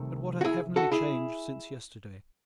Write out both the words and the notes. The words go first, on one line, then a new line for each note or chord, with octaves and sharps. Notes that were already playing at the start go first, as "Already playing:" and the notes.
But what a heavenly change since yesterday!
Already playing: C2 C3 D#3 A3
F#4
E4 G#4
F#4 A4
E4 G#4